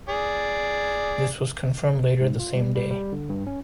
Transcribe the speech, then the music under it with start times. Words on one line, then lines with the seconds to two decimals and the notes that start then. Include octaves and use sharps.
This was confirmed later the same day.
0.09 G#4 D5
2.21 G#2
2.39 F4
2.55 G3
2.75 G3
2.91 G3
3.12 D3
3.29 G2
3.47 C#4